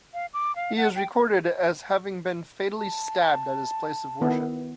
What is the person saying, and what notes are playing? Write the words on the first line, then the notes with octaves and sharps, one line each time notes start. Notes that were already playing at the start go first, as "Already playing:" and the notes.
He is recorded as having been fatally stabbed at his place of worship.
F5
D6
F5
F#5
G5
A5
D#3 B3 E4